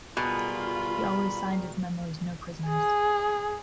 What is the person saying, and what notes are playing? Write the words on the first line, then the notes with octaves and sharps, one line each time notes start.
He always signed his memos "no prisoners".
B2 G3 F4 G#4 A#4 B5
G#4